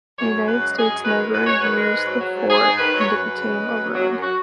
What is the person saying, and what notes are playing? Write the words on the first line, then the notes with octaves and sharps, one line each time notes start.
The United States never used the fort and it became a ruin.
F#2 C#5
F#2
C#3 B4
G#3
F#2 G#4
F#2
D#3 B4
G#3
F#2 B4
F#2 C#5
D#3 B4
G#3
G#2
F#3
F#3
G#2
G#2 G#4
G#2
D#3 B4
F#3
C#5
F#2 B4
F#2
C#3
G#3
F#2
F#3
F#3
F#2
F#4